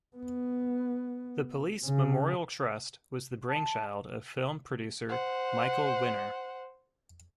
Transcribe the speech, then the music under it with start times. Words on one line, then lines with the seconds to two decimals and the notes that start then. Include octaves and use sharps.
The Police Memorial Trust was the brainchild of film producer Michael Winner.
0.17 B3
1.85 C#3
3.49 A5
5.09 C5 F#5